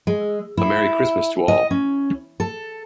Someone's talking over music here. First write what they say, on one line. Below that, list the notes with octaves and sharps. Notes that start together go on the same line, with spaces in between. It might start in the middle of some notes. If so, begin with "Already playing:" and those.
A Merry Christmas to all!
G#3
E4
D#5
C#4
A4